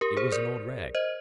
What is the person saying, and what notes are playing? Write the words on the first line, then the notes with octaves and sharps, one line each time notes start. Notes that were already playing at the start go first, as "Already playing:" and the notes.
It was an old rag.
G4 A#4
G#4 C5
A#4 D5
C5 D#5